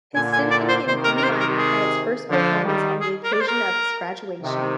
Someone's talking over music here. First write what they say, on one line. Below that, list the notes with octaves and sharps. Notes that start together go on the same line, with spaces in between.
His symphony in D-minor had its first performance on the occasion of his graduation.
A#2 D3 G#5
G#5
D5
C5
C3 D#3 C5
A#4
A#4
C5
A#4
G#4
D3 F3
D#3 G3
G#4
A#4
D5
C5
A#4
C3 D#3